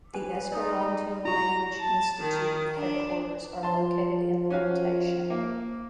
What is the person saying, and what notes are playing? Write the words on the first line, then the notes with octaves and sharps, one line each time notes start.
The Esperanto language institute headquarters are located in Plantation.
B4 G#5
D#4 D5 D#6
E4 F#4 A#5
A5
D#3
D4
F3 A5 C6
F3 C#4 F#4 F5
A#3